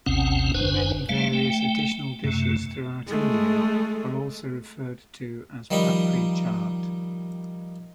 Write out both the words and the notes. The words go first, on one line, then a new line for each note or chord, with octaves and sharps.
Many various additional dishes throughout India are also referred to as papri chaat.
A1 D#2 C3 C4 C#4 F#5
F#1 F#2 D4 B4 C5 G#5
G3 A3 F5
A3 G5
F#2 C3 A3
G#3 A3
D#3 F3 G3 D#4 B5